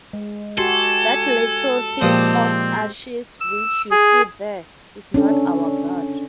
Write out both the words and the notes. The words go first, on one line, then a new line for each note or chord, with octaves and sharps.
That little heap of ashes which you see there is not our god.
G#3
F#4 G4 A4 G#5 C6
A#2 F3 G#3 C4 G4 C5 D#6
E6
G#4
C#4 D4 A4